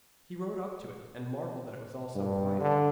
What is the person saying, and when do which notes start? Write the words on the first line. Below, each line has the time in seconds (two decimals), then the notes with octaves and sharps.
He rode up to it, and marvelled that it was all so quiet.
2.15 G2
2.60 D3